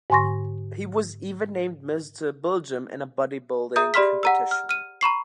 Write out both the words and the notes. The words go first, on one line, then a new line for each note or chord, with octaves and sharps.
He was even named "Mr. Belgium" in a bodybuilding competition.
G#2 D3 G#5 C6 C#6 A#6
G#4 E5 A#5 D#6 G6
G4 D5 B5 C6 F6 B6
F#5 A#5 E6
F6
F6 D#7
A#5 B5 C#6 C7